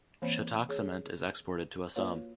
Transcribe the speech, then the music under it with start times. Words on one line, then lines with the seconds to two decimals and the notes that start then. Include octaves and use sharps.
Chhatak Cement is exported to Assam.
0.22 E3 A#3 C4 C5 C#5 B5
0.69 G#4 C#5
1.96 A#3 F4 F#4 B4 C#5 F5